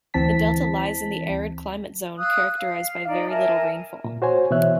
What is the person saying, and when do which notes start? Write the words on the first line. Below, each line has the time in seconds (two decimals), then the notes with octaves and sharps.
The delta lies in the arid climate zone, characterized by very little rainfall.
0.14 D2 E3 C4 A5 B6
2.18 F5 D#6 E6 F#6
2.56 F5
3.06 D#4 D5 D6
3.28 A#4 E5 G#5 A5
4.04 A#2
4.22 F#4 C5 C#5 G#5
4.51 B2 E3 C#5 E5 F#6